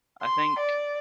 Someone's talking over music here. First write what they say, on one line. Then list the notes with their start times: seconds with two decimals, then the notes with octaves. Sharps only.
I think,
0.21 C6
0.59 D5